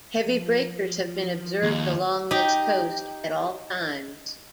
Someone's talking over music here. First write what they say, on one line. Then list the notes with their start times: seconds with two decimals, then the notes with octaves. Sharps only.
Heavy breakers have been observed along this coast at all times.
0.22 F3
1.63 D#2
2.31 D#4 G4